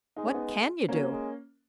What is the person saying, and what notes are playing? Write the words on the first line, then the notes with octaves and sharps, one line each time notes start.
"What can you do?"
G#3 D#4
C#4
B3 D#4
F#3 A#3 C#4
G#3